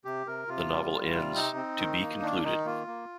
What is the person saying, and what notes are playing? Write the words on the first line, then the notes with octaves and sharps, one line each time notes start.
The novel ends "To Be Concluded".
C3 G4
C3 A#4
C3 F4
G3
G3
C3
C4 D#4
C4
D#3
A#3
D#3 D4
D#3 D#4
A#3 F4
A#3